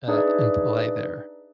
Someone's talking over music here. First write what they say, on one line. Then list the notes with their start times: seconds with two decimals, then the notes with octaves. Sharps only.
uh, in play there.
0.08 D4 D#4 G#4 B4 D5 E5